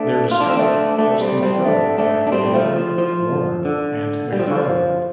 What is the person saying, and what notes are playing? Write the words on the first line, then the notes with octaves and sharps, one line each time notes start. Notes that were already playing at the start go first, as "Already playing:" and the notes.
Their discovery was confirmed by Nather, Warner, and Macfarlane.
Already playing: A3 D4
F4
D4
C4
A3 D4
A3 D4
G3 C4
G3 C4
A3 D4
A3 D4
D4
G3 C4
F3 A3
F3
F3
D3
G3
F3
D3
F3